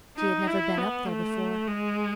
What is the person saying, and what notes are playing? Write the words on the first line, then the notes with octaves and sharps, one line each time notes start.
She had never been up there before.
D#4
E4
B3
A3
G#3